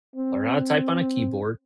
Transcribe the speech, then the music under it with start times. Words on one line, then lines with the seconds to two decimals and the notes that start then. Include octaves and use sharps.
learn how to type on a keyboard,
0.16 C4